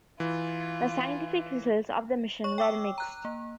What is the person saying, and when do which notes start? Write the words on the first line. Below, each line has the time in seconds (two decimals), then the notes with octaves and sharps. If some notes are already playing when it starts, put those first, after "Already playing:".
The scientific results of the mission were mixed.
0.20 E3 F4
2.44 C#5 C#6
2.58 G5 D6 E6
2.98 A#5 F#6
3.25 A#3